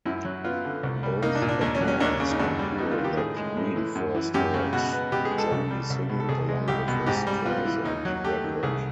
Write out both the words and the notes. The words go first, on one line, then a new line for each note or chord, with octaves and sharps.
Both accounts concur that Green first heard Joli singing along with a Streisand record.
F#2 E4
F#3
B3 F4
D3
C2
G3
A#3 D#4
D4
A#2
D4
D#2 D4
C#4
F#3
C#4
D#2 D4
C#3
D#4
F#2 D4
G3
B3 D#4
F4
D#3
G4
A2 G#4
G#3
A2
E3
F#2
E3
F#2 G4
C#3
B2 F#4
B3
B2 G4
G#4
G#3
A4
C2
G3
C2
B2
A4
C2 G#4
G#3
C2 G4
B2
G#2 G4
G3
B3 F4
E3
D#2 D#4
F#3
A3 G4
D#3
C2 G#4